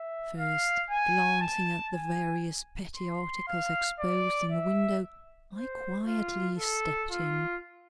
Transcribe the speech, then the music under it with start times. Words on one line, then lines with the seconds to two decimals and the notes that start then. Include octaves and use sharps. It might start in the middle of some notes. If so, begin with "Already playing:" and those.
First glancing at the various petty articles exposed in the window, I quietly stepped in.
Already playing: E5
0.37 F5
0.90 G#5
1.41 A5
1.93 G#5
2.96 C6
3.48 F5
3.99 D5
4.51 E5
5.54 C5
6.06 F4
6.58 A4
7.10 F4